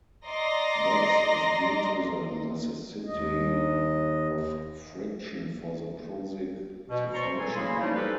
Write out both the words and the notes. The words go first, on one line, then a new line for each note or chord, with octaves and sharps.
This is due to the necessity of friction for the Prusik to function.
D5 D#5 A#5 C6 A#6
D#2 D#5
B2
C5 D5 A#5 C6 C#6
E2 F#3 C4 A4 G#5 C6
C#3 A#3 E4 F#4 B5 C6
C#3 F3 G3 A3 C#4 D#4
D4 D#4 G4 A4 B4 C5